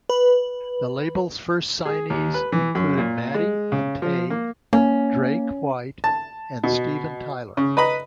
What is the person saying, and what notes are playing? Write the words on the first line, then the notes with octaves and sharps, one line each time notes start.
The label's first signees include Maddie and Tae, Drake White, and Steven Tyler.
B4
G#4
D#2
B4
E3
F#2
A#2
G#3
C#3
F3
A#3
A#3 C#4
A5
B2
C#3
B4 D#5 A#5 B5